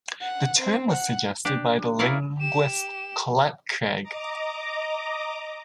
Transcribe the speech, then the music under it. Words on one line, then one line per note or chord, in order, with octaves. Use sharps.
The term was suggested by the linguist Colette Craig.
F#5
C4
F#5
D4 G4
E4 A#4 C#5 D5 F5
G4 E7
D#5 A#5 D6